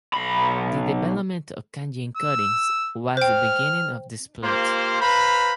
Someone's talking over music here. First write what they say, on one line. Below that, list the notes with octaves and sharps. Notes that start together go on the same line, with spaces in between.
The development of kanji encodings was the beginning of the split.
B1 B5
E6
C5 G5 F6
A#3 F4 G4 C5
B4 C5 F5 A#5 B5